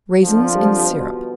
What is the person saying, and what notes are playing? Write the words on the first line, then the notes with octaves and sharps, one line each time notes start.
Raisins in Syrup.
F2 D3 F3
G3
B2